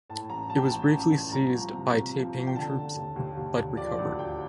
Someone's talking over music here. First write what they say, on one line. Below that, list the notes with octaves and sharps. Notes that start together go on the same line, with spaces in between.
It was briefly seized by Taiping troops but recovered.
A2 A5
A1 A#5
A1 A5
G5
A5
A1
A1
A1
C2 A#5
F3
C3
C3
F3
C3
G5
D3 A5
D3
D#2
D#2
D#2
D#2
F3 D5
D2 D5
D2 G5